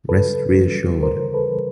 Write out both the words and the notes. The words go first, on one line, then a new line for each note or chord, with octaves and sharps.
Rest reassured.
C#3 A4 B4
E3 G3
C#3 A#4 C5
A4 B4
E3 G3